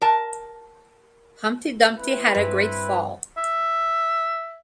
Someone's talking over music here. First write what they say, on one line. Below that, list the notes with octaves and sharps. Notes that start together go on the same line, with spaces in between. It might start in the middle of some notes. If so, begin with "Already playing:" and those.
Humpty Dumpty had a great fall.
A#4 A5
C4 E4 B4
G2
E5